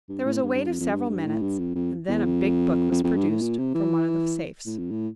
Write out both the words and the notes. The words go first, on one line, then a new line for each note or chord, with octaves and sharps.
There was a wait of several minutes, and then a big book was produced from one of the safes.
G2
A2
G2
G2
F2
F2
G2
G2
A2
G2
F2
F2
E2
F2
F2
F2
G2
A2
A#2
C3
E3
A2
F2
A2